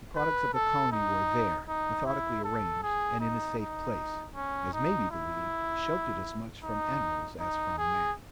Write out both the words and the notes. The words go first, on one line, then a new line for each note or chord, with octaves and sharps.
The products of the colony were there, methodically arranged, and in a safe place, as may be believed, sheltered as much from animals as from man.
B4
A4
D#4
D#4
E4
A4
G#4
D#4
D#4
C#4
D#4
E4
D#4
D#4
G#4